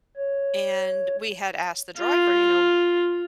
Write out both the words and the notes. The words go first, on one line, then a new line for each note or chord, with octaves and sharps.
and we had asked the driver, you know,
C#5
F4